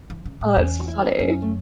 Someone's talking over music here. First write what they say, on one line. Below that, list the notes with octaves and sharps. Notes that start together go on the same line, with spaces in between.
Oh, that's funny.
E3
C#3
A2
E2 C#4
F#4
E4
F#2 C#4
A3